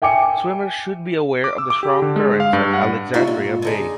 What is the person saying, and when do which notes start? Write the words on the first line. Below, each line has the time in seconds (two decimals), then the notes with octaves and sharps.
Swimmers should be aware of strong currents at Alexandria Bay.
0.02 E5 G5 G#5 D6 C#7
1.44 D6
1.58 E6
1.70 D6
1.83 G4
2.02 D3
2.16 G#3
2.40 F5
2.53 G2
2.73 F#5
3.14 G3 A3 D4 D#4 F4 F#4
3.27 A#2
3.62 D3 D#4 G#4